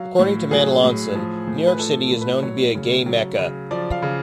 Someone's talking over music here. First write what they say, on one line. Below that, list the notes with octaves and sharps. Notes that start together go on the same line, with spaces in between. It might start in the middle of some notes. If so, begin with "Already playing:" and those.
According to Manalansan, New York City is known to be a gay Mecca.
Already playing: F#3 F5
A2
F#3 G#4
A2
F3
A2
B4
F3 A4
A2
B4
F#3 C#5
C#3
F#3
C#3
F3 D5
F5
C#3